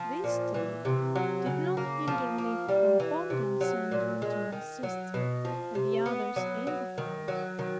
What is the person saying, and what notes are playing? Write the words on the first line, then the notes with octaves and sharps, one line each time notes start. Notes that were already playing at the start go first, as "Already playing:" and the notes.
This state did not hinder me from condescending to my sister, and the others in the house.
Already playing: F3
A#2
E3
C3
F#3
C#3
A#3
F3
A#3
G3
E3
C3
F#3
A#2
G#3
D#3
F#3
B2
F3
C3
B3
F#3
F#3
D#3
F#3
D#3